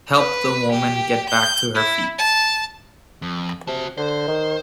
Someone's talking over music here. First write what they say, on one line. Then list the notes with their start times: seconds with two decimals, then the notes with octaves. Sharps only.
Help the woman get back to her feet.
0.18 B4
0.72 G4
1.29 G6
1.75 E4
2.18 A5
3.22 F2
3.67 C3 F#4 A5
3.98 D3 C5
4.28 D#3